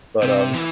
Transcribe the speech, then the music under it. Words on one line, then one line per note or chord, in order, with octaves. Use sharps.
but, um,
C3
E3